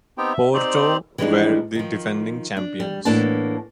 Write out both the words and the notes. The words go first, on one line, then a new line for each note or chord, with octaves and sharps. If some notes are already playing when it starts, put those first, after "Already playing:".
Porto were the defending champions.
B3 C4 D#4 G4 G5
E5
C4 D#4 G4 C5 D5
E3 F3 G3 G#3 D4 D#4
D#3 F3
D4
G3
A2 E3 A#3 B3 D4 A5